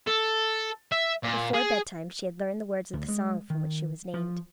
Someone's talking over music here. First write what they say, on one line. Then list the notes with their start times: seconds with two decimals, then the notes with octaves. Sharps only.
Before bedtime she had learned the words of the song from which she was named.
0.07 A4
0.92 E5
1.23 A#2
1.54 G#4
2.93 D2
3.08 G#3
3.50 D#3
4.14 F3